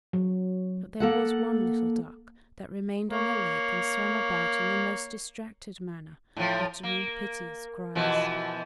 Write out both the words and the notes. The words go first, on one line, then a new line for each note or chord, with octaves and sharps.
But there was one little duck, that remained on the lake and swam about in the most distracted manner, uttering piteous cries.
F#3
A#3 A4 F#5
A#3 C#5
A2 F3
A#3
B2 E3 F3